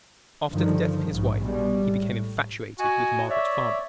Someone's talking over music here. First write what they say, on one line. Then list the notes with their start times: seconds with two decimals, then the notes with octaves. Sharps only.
After the death of his wife he became infatuated with Margaret Farmer.
0.49 G2 D3 D#3 F3
1.08 A#1 G#2 C#3
1.42 B2 G3 G#3
1.83 A2
2.79 F#4 D#5 G#5
3.29 C#5 D5 E5